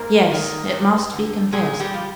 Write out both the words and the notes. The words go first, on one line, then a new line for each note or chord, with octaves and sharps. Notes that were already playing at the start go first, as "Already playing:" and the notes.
Yes, it must be confessed.
Already playing: G#2 A#3 A#4
D#3
G2
D3
A#2 G#3 G#4
G3 G4
F3